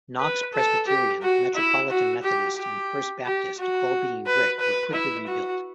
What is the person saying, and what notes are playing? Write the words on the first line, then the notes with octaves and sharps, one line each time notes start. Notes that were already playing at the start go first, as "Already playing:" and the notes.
Knox Presbyterian, Metropolitan Methodist and First Baptist, all being brick, were quickly rebuilt.
B4
A4
G4
F#4
E4
F#4
G4
G4
G4
F#4
B4
B4
E4
F#4